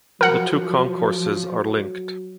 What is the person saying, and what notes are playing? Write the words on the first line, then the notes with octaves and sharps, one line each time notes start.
The two concourses are linked.
F3 F#3 A#4 F#5